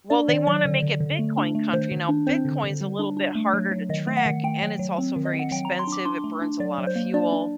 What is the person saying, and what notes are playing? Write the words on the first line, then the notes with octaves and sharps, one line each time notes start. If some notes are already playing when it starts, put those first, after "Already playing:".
Well, they want to make it bitcoin country. Now, Bitcoin's a little bit harder to track, and it's also very expensive, it burns a lot of fuel.
D4 D5
D#3 D5
F#3 D5
D3
D3
D3
A3
D4
A3
D#3 C5
D#3
D4
C4 C5
D3
D3
G3
D4
D4
A3
F#3
F#3
D#3 D#5
A3
F#5
D#3
A3 G5
F#3
F#3
C4
D#3
D#5
C4
F#5
F#3 G5
A#5
F#3
C6
D4
D6
D4 C6
A3
D4
F#3 D5
F#3
C5
A#3
D4 D5
D4